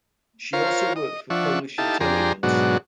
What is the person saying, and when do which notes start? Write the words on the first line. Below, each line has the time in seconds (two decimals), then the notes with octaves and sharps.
She also worked for Polish intelligence.
0.53 F4 A#4 C5 C#5 F5
0.96 D#5
1.30 F3 D4 E5 F#5 C#6
1.78 D#4 E4 G4 A4 F5 A5
2.00 F2 D4 G4 G#4 A#5 C6
2.43 G#2 B2 F#3 D4 F#4